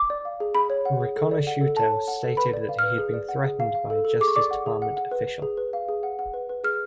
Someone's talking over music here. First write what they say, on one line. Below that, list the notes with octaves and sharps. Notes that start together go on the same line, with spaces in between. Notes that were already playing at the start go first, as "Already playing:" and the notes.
Riconosciuto stated that he had been threatened by a justice department official.
Already playing: D6
D5
F5
G#4
G#4 B5
C#5
F#5
G#4
A4
D5
F#5
A4
A4 A5
C#5
F#5
A4
B4 B5
D5
F5
B4 F6
G#4
D5
F#5
G#4
F5
F5
A4
A4
G#4 D6
C#6
D5 D6
F#5
G#4
F#5
F#5
B4
B4
G#4
B4
F5
G#4
F#5
F#5
B4
B4
G#4 F6